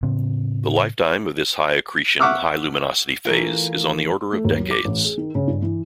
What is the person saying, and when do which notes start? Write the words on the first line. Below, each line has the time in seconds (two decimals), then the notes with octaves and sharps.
The lifetime of this high-accretion, high-luminosity phase is on the order of decades.
0.03 A2 C#3 C4
2.20 E5 F#5 C#6 D6 E6 F6
3.25 E3 A3 A#3 F4
4.32 A3
4.45 D#2
4.58 F#3
4.71 D6
4.85 A1
5.05 G#4
5.18 D#3
5.35 C#3
5.47 G2
5.62 E3